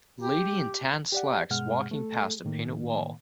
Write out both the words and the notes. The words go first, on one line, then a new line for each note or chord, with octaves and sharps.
Lady in tan slacks walking past a painted wall.
G4
G4 D5 F#5
G2 B2 G#3 F#5 F6
A3 A4
A2 D#3 A#3